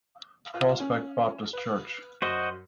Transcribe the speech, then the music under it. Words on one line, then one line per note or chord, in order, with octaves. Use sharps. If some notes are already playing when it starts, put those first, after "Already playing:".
Prospect Baptist Church.
F4
C#4
B4
F#2 F#4 C5 D#5